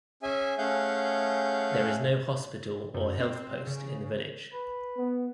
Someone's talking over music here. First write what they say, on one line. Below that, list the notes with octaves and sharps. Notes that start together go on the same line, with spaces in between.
There is no hospital or health post in the village.
C#4 G#4 E5 G#5
A3 C#4 G#4 F5 F#5 G6
F#2
C4
C#3
B4
B3